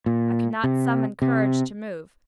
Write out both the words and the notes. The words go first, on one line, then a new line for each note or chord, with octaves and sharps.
I could not summon courage to move.
A#2
C3
C3